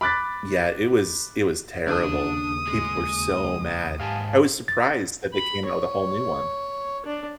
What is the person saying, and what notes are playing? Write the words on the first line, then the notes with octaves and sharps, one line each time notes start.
yeah, it was it was terrible. People were so mad. I was surprised that they came out with a whole new one.
B5 D6 F#6 A6 B6
D#2 C#3 A#3 D4 A5 D#6
G#3
G#2 G4 F5 G#5 A5
A6
B5
C#5
D4